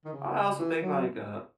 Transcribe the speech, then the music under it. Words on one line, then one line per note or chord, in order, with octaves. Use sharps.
I also think, like, uh,
D#3
C#3
E3
F#3